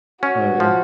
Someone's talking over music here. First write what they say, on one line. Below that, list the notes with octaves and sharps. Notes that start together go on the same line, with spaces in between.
Oh, yeah.
C#4 F#4
F3